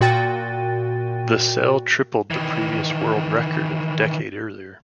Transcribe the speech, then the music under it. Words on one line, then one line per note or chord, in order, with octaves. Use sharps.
The sale tripled the previous world record of a decade earlier.
A#2 F#4 G5 A6 D#7
D#3 E3